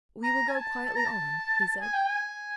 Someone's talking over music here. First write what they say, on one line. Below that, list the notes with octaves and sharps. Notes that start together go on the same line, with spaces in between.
"We will go quietly on," he said.
A#5
G#5
A5
A5
A#5
A5
G#5
G5
G#5